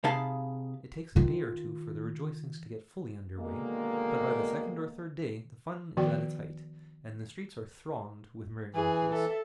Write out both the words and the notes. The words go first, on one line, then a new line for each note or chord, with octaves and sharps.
It takes a day or two for the rejoicings to get fully under way, but by the second or third day the fun is at its height, and the streets are thronged with merrymakers.
C3 D#4 G#4 F5 A5 B5
D#3 F4
B2 D3 D#3 G#3 A#3
D#3 F3 B3 F#4 D5 G5
E3 G#4
A4 E5